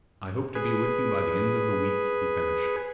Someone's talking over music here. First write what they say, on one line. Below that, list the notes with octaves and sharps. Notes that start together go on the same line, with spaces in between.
"I hope to be with you by the end of the week," he finished.
G#4 B4